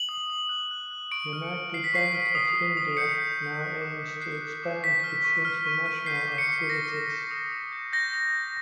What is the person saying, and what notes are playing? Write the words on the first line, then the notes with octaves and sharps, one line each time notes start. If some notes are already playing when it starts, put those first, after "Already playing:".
United Bank of India now aims to expand its international activities.
Already playing: F#7
D#6
D#6
F#6
F#6
F#6
C#6 D7
F6
C#7
F6
F6 C7
B6
C#6 C7
F6
D#6
D#6
D#6
G6 C#7
G6
D#6
F#6
D6
F#6
F#6 C7
F#6
D6
C#6 B6
F6
C#6
F6
C#6
F6
G6 C7
D6
C#7
D6
D6 A#6
D6
G6
D#6
D#6
G6
G6 A#6
D#6
G6